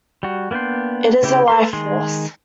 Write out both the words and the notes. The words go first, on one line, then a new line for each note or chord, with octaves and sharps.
It is a life force.
G3 F#4
A#3 B3 D4 G5 C6
C#3 E4 G4
A4 B4 C6
D#3 G#3 G#4 C6